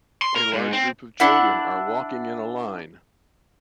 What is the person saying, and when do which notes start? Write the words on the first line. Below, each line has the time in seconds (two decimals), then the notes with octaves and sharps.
A large group of children are walking in a line.
0.22 C6
0.36 A#4
0.53 G#2
0.73 C4
1.20 D4 E4 F#5